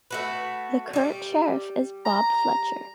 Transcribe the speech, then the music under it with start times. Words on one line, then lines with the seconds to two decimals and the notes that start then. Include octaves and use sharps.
The current sheriff is Bob Fletcher.
0.11 A3 F#4 B4
0.93 G3 G4
2.05 A#5